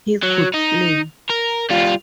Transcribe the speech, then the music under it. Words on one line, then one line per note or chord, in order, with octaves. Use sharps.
He could play.
F#3
D#4
A#4
G3 F4